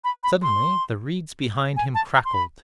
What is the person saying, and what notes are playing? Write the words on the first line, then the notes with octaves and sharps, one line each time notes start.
Suddenly the reeds behind him crackled.
B5
B5
C6
G#5
A5
A#5
C6
B5